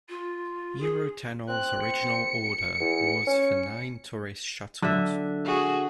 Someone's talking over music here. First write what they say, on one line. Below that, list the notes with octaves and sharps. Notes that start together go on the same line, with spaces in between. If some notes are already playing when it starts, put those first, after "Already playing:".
Eurotunnel's original order was for nine tourist shuttles.
F4
G#4
C4 F#6
C#7
E2
C#4
D3 F#3 E5
F#4 G#4